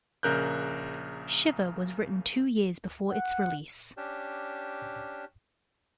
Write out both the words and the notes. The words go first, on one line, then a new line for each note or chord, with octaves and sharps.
"Shiver" was written two years before its release.
A#1 C#3 A#4 F#6 G6
F#5
C#4 D4 G4